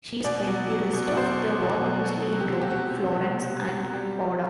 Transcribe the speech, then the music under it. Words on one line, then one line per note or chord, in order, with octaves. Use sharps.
She spent the rest of the war mostly in Rome, Florence, and Padua.
B2 D5
F#3
F#3
B2
D5
B2 C5
F#3
B2 A4
B2
F#3 F#4
C3
G4
F#3
G4
F#4
C3
C3
F#3
F#3
F#3
G3 G4
G3